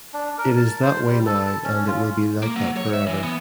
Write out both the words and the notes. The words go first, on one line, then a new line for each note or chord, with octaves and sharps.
It is that way now and it will be like that forever.
D4
A#4
A5
C5
G3
A4
A5
C#4
F4
A#3
F#3
C#5
E5
E3
B3